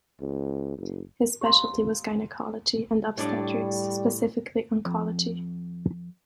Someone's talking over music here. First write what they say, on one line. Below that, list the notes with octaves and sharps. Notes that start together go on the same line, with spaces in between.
His specialty was Gynecology and Obstetrics, specifically oncology.
C#2
F#1
G4 C#5 F5 A#5 C6
A2 G3 D4 D5
F2